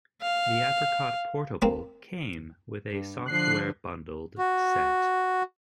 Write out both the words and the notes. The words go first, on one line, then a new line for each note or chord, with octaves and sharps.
The Apricot Portable came with a software bundled set.
F5
A#3 C4
G2
D3 F3 F#6 C7
F#4